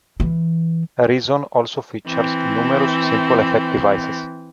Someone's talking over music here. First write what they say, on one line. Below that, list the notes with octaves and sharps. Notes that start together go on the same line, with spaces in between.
Reason also features numerous simple effect devices.
E3
E3 C4